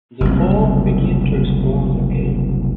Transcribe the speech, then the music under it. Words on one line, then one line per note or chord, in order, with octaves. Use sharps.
The four begin to explore the cave.
F#1 C2